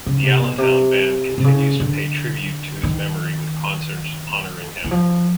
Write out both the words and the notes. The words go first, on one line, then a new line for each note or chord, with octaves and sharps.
The Allentown Band continues to pay tribute to his memory with concerts honoring him.
C#3
C3
B2
C3
C3
C#3
D3
D#3
E3
F3